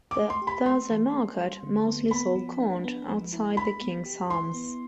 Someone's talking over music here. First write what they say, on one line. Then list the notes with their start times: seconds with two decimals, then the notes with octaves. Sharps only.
The Thursday market mostly sold corn outside the King's Arms.
0.11 D6
0.18 A3
0.30 C6
0.42 G4
0.47 B5
0.66 A3 C6
0.90 E3
1.14 D4
1.39 G3
1.63 D3
1.87 B3
2.11 B3 B5
2.35 F3
2.60 D4
2.84 B3
3.09 F3
3.33 E4
3.57 D4 B5
3.81 B3
4.05 G4
4.30 E4 C6
4.54 B3